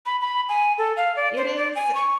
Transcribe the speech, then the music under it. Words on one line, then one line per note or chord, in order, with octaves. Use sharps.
It is
B5
B5
G#5
A4
F5
D5
C5
D5
G#5
C#6